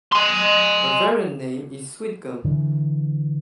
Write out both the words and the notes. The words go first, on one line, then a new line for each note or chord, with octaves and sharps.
A variant name is "Sweetgum".
G#5 C6
D3 E3